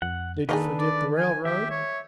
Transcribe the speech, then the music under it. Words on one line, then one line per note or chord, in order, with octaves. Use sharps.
Did you forget the railroad?
F2 F#5
D#3 A#3 D4 D#4 G#4 A4 B4
D5
G#5
G4 E5
C#5